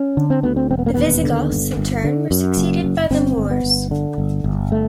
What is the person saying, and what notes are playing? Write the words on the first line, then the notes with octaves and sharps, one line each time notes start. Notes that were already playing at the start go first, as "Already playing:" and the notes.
The Visigoths, in turn, were succeeded by the Moors.
Already playing: C#4
D3
C4
D2 B3
C4
E1 C4
B3
A#3
D#2 B3
D3
G1
G1
D3
F#2
F#1
F#1
G1 C4
G1
B3
G1
D3
G1
G1
A3